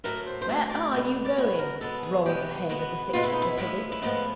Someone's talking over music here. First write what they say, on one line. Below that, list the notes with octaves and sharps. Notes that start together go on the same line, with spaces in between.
'Where are you going,' roared the head of the Fixed Deposits.
A2 F#3 A3 A#4
C5
C5
A2 F#3 A3 C#5
D5
B2 G#3 B3
D5
B2 G#3 B3 C#5
A#4
B2 G#3 B3 A4
G#4
B2 G#3 B3 G4
B2 G#3 B3 F#4
B2 G#3 B3 F4
E4
D#4
E4
A2 F3 G#3 B3
E4
A2 F3 G#3 B3 D#4